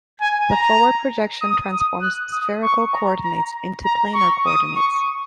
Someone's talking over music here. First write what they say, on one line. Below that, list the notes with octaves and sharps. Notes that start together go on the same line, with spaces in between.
The forward projection transforms spherical coordinates into planar coordinates.
G#5
A#5
D#6
D#6
F#6
D#6
C#6
A#5
A#5
A#5
C#6
D#6
C#6